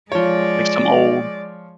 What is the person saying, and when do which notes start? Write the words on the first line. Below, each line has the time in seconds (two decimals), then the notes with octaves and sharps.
Like, some old
0.12 F3 G#3 C#5 D5